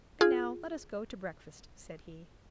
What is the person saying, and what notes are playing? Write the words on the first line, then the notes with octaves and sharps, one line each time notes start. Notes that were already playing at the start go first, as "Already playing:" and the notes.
"And now let us go to breakfast," said he.
F4 G#4